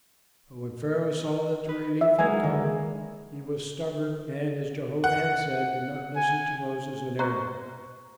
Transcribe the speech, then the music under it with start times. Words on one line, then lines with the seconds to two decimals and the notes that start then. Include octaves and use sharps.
But when Pharaoh saw that relief had come, he was stubborn and, as Jehovah had said, did not listen to Moses and Aaron.
1.69 B4
2.01 E5
2.19 F#3 G#3 A#3 G#5
2.43 D#3
5.04 F#5
6.16 G#5
7.19 C5 A#5 C#6 F#6